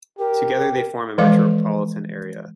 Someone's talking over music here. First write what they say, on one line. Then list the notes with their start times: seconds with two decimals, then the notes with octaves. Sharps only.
Together they form a metropolitan area.
0.19 G4 A#4
1.18 E3 F3 G#3 A4 D5 F5